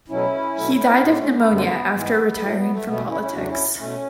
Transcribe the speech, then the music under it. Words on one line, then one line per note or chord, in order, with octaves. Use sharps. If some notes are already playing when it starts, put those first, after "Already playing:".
He died of pneumonia after retiring from politics.
B2 F#3 A3 C#4 E4
B2 F#3 A3
A2 G#3 B3 D4
A3 C#4
B3
F#2 D3 G#3
G#2 E3 G#3
A2 F#3 A3
B3
A3
B2 A3 B3
C#4 E4
C#4 E4
E2 C#3 F#3 A3 D4 F#4
C#4 E4
B2 A3 C#4